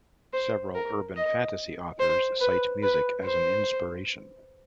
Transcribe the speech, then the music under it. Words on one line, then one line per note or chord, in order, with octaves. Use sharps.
Several urban-fantasy authors cite music as an inspiration.
C5
A#4
D#5
C5
B4
B4
C5